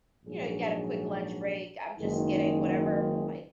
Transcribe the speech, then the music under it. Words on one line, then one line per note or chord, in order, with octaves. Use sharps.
you know, you got a quick lunch break, I'm just getting whatever, like,
A#1 G#2 F#3 D4 G#4
F#1 F#2 D#3 G#3 D#4